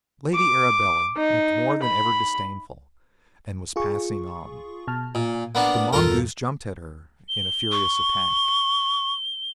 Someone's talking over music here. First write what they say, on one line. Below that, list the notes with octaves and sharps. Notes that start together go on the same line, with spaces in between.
Lady Arabella looked more than ever disdainful and was passing on; the mongoose jumped at her in a furious attack.
D6
D#4
B5
F4 G#4 C#6
B2 A5 F6
A#2 G#5
A#3 B3 D4 F#5 B5
E2 G2 A#2 F4 A4 A#4
G7
C#6